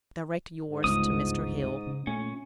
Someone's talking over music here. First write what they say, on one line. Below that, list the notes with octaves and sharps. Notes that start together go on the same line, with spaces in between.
Direct yours to Mr. Hill.
G#2
G1 C#2 C#3 D#6
C#3
A#2 A3 C#4